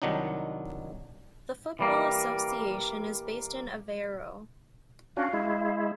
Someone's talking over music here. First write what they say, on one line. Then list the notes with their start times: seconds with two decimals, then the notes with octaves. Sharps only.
The Football Association is based in Aveiro.
0.02 C2 D#3 F#3 D4 D#4
1.79 E3 G3 A#3
5.17 C#4 D4 F#4 F5
5.33 G#3 E4